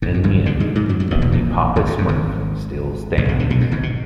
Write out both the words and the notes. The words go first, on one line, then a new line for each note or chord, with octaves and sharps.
In the end, only Papa Smurf still stands.
G#1 G#2
F#2
G#1 G#2
D2 D3
G#2 G#3
G#2 G#3
F#2 F#3
F#2 F#3
D#2 D#3
B1 B2
A#1 A#2
G#1 G#2
F#2
F#2
G#1 G#2
G#1 G#2
B1 B2
D2 D3
B1 B2
F#2
G#1 G#2
B2